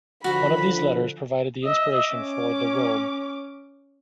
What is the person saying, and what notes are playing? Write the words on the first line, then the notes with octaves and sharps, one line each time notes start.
One of these letters provided the inspiration for "The Robe".
D3 F3 F#4 A#5 B5
D#5 E5
C#4 D6